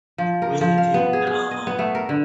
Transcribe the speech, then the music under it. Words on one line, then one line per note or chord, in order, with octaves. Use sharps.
really didn't, um,
F3
A#4
F3
F5
B3
G#4
G#4
D#5
B3
A3
A#4
D3